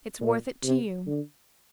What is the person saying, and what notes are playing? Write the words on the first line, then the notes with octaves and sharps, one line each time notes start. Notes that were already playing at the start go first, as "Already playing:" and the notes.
It's worth it to you.
A#2
C3
D3